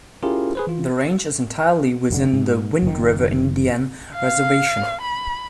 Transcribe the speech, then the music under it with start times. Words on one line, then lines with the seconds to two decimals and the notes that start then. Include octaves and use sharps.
The range is entirely within the Wind River Indian Reservation.
0.23 C#4 E4 F4 G4 G#4 A#4
0.55 G#4 B4 C5
0.67 E3 F4
2.10 F1 B2 D3
2.33 G#2
2.82 F#1 D#3
4.15 F5
5.01 B5